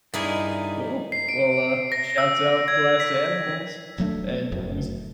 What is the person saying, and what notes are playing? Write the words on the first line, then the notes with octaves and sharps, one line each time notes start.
Cool, well, uh, shoutout Glass Animals, s and it was
G2 D#3 D#4 E4 G#4 D5
C7
D7
A#6
E6
G#6
B6
D#1 F#3 A3 D4
F1 F#2 A2